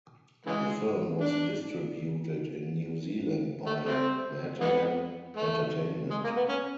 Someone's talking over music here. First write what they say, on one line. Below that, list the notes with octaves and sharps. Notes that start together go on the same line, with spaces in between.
The film was distributed in New Zealand by Madmen Entertainment.
C#3 E3 G#3
D4
A3
G3 A3 C4
E3 G#3 B3
A3
G#3
A#3
B3
C#4